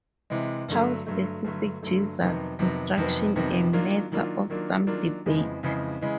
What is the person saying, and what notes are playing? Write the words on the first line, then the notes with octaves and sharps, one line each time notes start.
How specific Jesus' instruction a matter of some debate.
C3 E3 G#3
G2 D3 F#3 A3
G2 D3 F#3 A3
G2 D3 F#3 A3
G2 D3 F#3 A3
F2 C3 D#3 F#3 B3
F2 C3 D#3 F#3 B3
F2 C3 D#3 F#3 B3
F2 C3 D#3 F#3 B3
D#3 F#3 A#3 D4 F4
D#3 F#3 A#3 D4 F4
D#3 F#3 A#3 D4 F4
D#3 F#3 A#3 D4 F4
F2 C#3 E3 G#3
F2 C#3 E3 G#3
C#3 E3 G#3